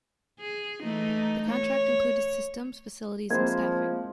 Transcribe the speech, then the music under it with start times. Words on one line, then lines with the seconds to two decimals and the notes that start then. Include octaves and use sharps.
The contract included systems, facilities, and staffing.
0.40 G#4
0.83 E3 A3 D#4
1.51 C#5
3.31 F3 G#3 A#3 C4 E4 C5 G#6